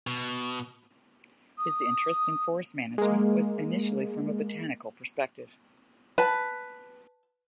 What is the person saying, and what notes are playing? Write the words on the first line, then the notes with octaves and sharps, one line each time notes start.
His interest in forest management was initially from a botanical perspective.
B2
D#6
G#3 A#3
B4 A5